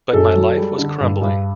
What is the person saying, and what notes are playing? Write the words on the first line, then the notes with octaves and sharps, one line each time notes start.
But my life was crumbling.
F#2 A4
F#3
G3
D3
G2
G2